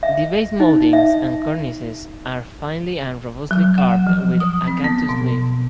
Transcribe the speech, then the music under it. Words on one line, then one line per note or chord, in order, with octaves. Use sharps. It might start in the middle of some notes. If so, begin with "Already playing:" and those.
The base moldings and cornices are finely and robustly carved with acanthus leaf.
E5
D#4
E5
F#3
F#5
F3
D#6
C4
B3
B2